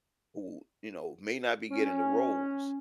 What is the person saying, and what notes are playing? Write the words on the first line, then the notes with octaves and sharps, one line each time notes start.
who, you know, may not be getting the roles.
C#4